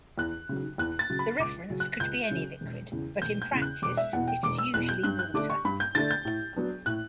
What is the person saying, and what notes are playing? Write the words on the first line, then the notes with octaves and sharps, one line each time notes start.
The reference could be any liquid, but in practice it is usually water.
E2 F#6
C#3 F#3
E2 F#6
A6
C#3 F#3
B5
C#2 D6
C#3 F#3 C#4
F#6
C#2 G6
C#3 F#3 C#4
E1
E2 C#3
E1 G6
G6
E2 C#3
F#6
E1 D6
E5
E2 B2 F#5
G5
E1 D6
E6
E2 B2 F#6
G6
G2 F#6
F#6
D3 A3 D4 D6
C#6
G2 B5
G6
D3 A3 D4 A6
G6
A2
F#3 B3 D4
A2 F#6